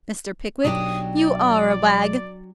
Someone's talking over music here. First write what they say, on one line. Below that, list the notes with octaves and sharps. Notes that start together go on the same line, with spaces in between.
Mr. Pickwick, you are a wag.
B1 F#3 D4 G4 D#6
D5